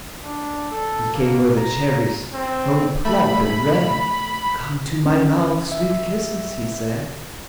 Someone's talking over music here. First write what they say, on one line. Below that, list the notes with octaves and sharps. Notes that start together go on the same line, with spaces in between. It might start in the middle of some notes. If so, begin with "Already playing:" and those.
He came where the cherries hung plump and red: "Come to my mouth, sweet kisses," he said.
D4
A4
A#3
A#5
C4
A3 E5 B5
C#4
E5